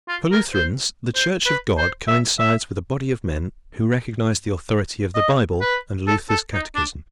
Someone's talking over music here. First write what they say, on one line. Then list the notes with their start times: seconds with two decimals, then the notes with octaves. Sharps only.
For Lutherans the Church of God coincides with a body of men who recognize the authority of the Bible and Luther's catechism.
0.08 F4
0.32 A#4
0.54 C5
1.15 C5
1.46 B4
1.78 C5
2.08 E5
2.39 E5
5.15 D#5
5.61 B4
6.07 A4
6.29 A4
6.53 D#4
6.75 D4